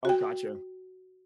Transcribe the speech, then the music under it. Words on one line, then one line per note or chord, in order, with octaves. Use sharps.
Oh, gotcha.
F#4 G5